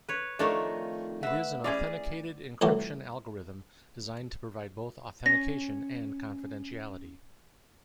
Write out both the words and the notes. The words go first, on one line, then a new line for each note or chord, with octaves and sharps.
It is an authenticated encryption algorithm designed to provide both authentication and confidentiality.
B4 C#5
F2 D#3 A3 D4 F4 A#4 C#5
B4 E5 F#5
E3 C#4 G#4 D5
C2 E3 F#3 A3 G4
C#4 A#6